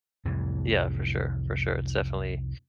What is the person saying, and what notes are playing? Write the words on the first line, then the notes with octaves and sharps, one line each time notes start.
Yeah, for sure, for sure. It's definitely
C2 F2 A2 E3